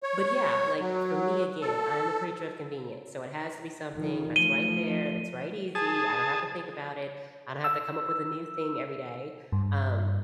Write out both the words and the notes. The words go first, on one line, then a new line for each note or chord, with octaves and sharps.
but yeah, like, for me, again, I am a creature of convenience, so it has to be something that's right there, that's right easy, I don't have to think about it, I don't have to come up with a new thing every day, um,
C#5
F#3
A4
D#3 F3
F3 A3 D#7 G7
G#4 A5
E6
G2